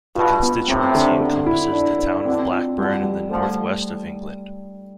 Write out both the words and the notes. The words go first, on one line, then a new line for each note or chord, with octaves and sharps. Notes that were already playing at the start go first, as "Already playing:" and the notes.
The constituency encompasses the town of Blackburn in the North West of England.
G2 B2 F4
B3
A2 C3 C4
D3
D3
E4
D4
D4
B2 D3 C4
F4
B2 D3 G3
G3
D3 F3 A3